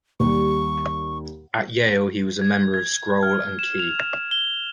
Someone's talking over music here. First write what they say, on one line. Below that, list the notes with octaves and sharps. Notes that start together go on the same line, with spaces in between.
At Yale he was a member of Scroll and Key.
D#2 G3 C#6
G#6
G#6
F6
E7
F7
G7